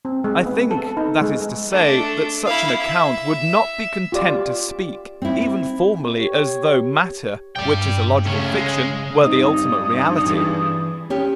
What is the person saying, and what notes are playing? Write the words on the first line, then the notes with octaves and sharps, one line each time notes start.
I think, that is to say, that such an account would not be content to speak, even formally, as though matter, which is a logical fiction, were the ultimate reality.
C4
G#3
B3
A4
D#4
G#3
A3 D4
E4 F5
E5
F4 G4 D5
C4 E4
G4 C#5
G2 D5 G5
C#3 A3 C#4
G#3
G2 C4 D#4 D#6
E3 G#4
C#4 G4 C#5